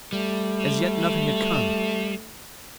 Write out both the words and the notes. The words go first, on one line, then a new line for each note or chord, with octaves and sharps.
As yet, nothing had come.
G3 A3